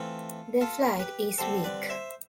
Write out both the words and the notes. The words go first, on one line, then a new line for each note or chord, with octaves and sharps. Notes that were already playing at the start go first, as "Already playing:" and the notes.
Their flight is weak.
Already playing: E3 A3 C4 F4 A4
F4 A4
G4 B4
D3 G3 C4 A4 C5
B4 D5
C5 E5